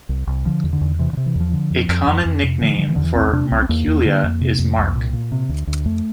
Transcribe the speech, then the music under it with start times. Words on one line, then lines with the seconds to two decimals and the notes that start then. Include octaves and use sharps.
A common nickname for "Markuelia" is 'Mark'.
0.09 C2
0.27 C2
0.45 D3 F3
0.64 E2
0.73 D3
0.81 E2
0.99 C3 E3
1.13 D3
1.17 C3
1.26 E3
1.35 E2 F3
1.53 D3
1.71 F2
1.89 F2
2.07 F2
2.25 F2
2.43 C3
2.61 D3 F3
2.70 E3
2.77 D3 F3
2.88 E3
2.96 E2 D3
3.03 E3
3.15 C2 C4
3.33 C3 D4
3.51 C2 C4
3.62 C4
3.69 E2 A#3
3.87 E2
4.05 D3
4.24 F2
4.41 C3
4.59 F2
4.78 C2
4.95 A#2
5.13 A#2
5.32 C3
5.49 D2
5.67 D2
5.85 F2 A3